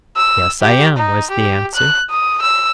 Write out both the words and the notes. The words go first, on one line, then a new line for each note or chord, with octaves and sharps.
'Yes, I am,' was the answer.
E6
G4
D#4
G4
F#6
D#6
E6